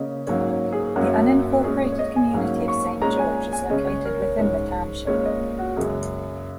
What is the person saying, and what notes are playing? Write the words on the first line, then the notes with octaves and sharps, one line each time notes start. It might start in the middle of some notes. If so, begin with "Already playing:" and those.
The unincorporated community of Saint George is located within the township.
Already playing: C#3 A#3 C#4 D#5
G#2 F#3 A#3 C#4 C#5
C#5
G#4
F#2 F#3 A#3 C#4 F#4
A#2 G#3 C#4 G#4
C#5
D#5
G#5
G#2 F#3 A#3 C#4
C#6
A#2 G#3 C#4 A#5
G#5
G#5
C#3 G#3 C#4 D#5
C#5
A#4
C#5
G#2 G#3 C#4 C#5
A#2 G#3 C#4 C#5
D#5
F#4
F#2 C#3 G#3 G#4